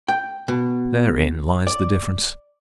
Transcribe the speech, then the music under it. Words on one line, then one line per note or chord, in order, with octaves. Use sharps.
Therein lies the difference.
G5
B2
D5